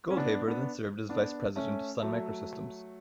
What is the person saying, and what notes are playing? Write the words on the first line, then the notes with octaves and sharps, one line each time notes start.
Goldhaber then served as Vice President of Sun Microsystems.
C#4
B3 D4
B3 D4
B3 D4
A3 C#4
F#3 A3